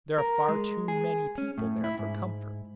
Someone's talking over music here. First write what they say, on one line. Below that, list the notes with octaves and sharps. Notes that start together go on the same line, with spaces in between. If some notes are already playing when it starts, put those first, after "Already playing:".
There are far too many people there for comfort.
A#4
G#3
G#4
C#4
A2
E4
G#2